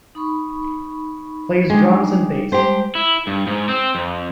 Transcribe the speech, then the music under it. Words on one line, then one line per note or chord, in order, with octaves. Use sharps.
Plays drums and bass.
D#4 B5 C#6
G3 G#3 D4 D#4
G3 G#3 G4 C5 A5
E4
G2
G#2
C4
F2